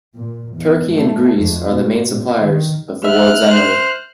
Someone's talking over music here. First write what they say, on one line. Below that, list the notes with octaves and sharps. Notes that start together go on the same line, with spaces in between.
Turkey and Greece are the main suppliers of the world's emery.
A#2
E2
A3
F2
B2
A#2
D#3
E5 F6 F#6
C5